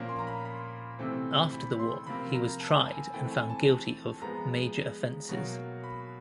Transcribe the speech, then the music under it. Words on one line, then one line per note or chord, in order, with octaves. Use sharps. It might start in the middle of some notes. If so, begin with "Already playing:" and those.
After the war, he was tried and found guilty of "major offenses".
Already playing: A#2 F3 A#3 C#4
C6
A#5
B5
B5
C3 E3 A3 C4
B5
C6
C3 F3 A#3 B5
A#5
A5
G#5
E3 A3 C4 G5
G#5
A5
F3 G#3 B3 A#5
B2 F#3 A#3
B5